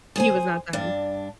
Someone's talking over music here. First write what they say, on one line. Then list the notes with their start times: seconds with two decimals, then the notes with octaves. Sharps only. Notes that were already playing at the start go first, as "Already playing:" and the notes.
He was not them.
0.16 G#4 C5 G#5
0.73 G2 D4